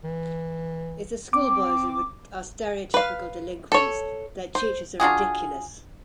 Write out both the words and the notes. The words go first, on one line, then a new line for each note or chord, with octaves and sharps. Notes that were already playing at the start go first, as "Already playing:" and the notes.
If the schoolboys are stereotypical delinquents, their teachers are ridiculous.
E3
C4 D6
B4 F5
A4 C#5
C5
D4 F4 F#4 G#4